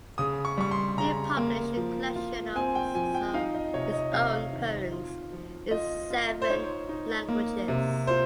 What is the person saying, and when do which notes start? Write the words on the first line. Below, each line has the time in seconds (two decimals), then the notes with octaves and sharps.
He published a collection of his own poems in seven languages.
0.18 C#3 D#6
0.45 C#6
0.57 G3 C#6
0.71 C6
0.98 C#3 A#5
1.37 A#3
1.77 F3
2.16 F4
2.56 C4 G#5
2.75 G5
2.95 F3 G#5
3.15 G5
3.34 D#4 F5
3.55 D#5
3.74 C3 C#5
3.94 D#5
4.13 C3 F5
4.53 D#3
4.92 F4
5.32 F3
5.71 F4 D#5
6.10 F4
6.42 C5
6.50 D#4 C#5
6.89 D#4
7.29 A#3
7.68 C3
8.07 F4 C5